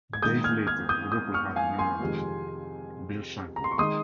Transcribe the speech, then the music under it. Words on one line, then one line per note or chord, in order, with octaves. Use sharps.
Days later Liverpool had a new manager, Bill Shankly.
G#6
G#2 D#3 A#3 D#6 G6
F6 G#6
F6 G#6
D#6 G6
D#6 G6
C#6 F6
F5 G#5
G#5 C6
F2 C3 D#3 G#3
A#5
C6
C#6
D#3 G#3 D#4 C6 D#6